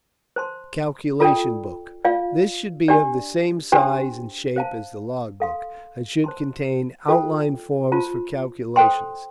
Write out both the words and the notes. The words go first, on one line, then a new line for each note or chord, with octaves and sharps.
Calculation Book.--This should be of the same size and shape as the Log Book, and should contain outline forms for calculations.
C5 A5 C6
F4 A4 D5 G5
F4 D5 F5
D4 G4 D5
D4 G4 C5 G5 C6
C5 F5 A5
A4 F5 C6
C5 A5 C6
F4 A4 C5 G5
F4 C5 A5 C6
A4 C5 G5 C6